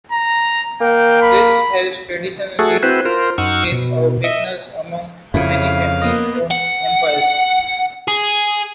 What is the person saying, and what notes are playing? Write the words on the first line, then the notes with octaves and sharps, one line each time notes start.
This has traditionally been a weakness among many family-owned empires.
A#5
A#3 G5
B5
A3 F#4 G#4 A4
C4 E4 F#4 B4 C5
F4 A#4 C5
F#2 D#4 F#5 C#6 E6 F6
B2
D#5 E5
F2 C#3 E4 F5
A#3 B3 D#5
F#5
G#4